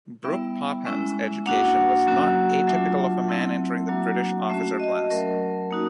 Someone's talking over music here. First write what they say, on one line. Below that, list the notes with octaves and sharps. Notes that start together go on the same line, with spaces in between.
Brooke-Popham's education was not atypical of a man entering the British officer class.
G3 B3 E4 E5
G#3 C#4 E4
A#3 D4 F#4 F#5
F#3 A#3 C#4 F#4
F#3 A3 D4 F4 E5
F#3 A3 C4 E4
F#3 A#3 D4 F#4
A3 C#4 F#4 E5
D#5
F#3 A3 C#4 A#4
A#3 D#4 F#4